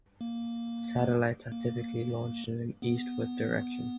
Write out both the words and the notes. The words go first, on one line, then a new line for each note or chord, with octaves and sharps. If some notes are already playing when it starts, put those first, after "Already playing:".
Satellites are typically launched in an eastward direction.
A#3
A#3
B3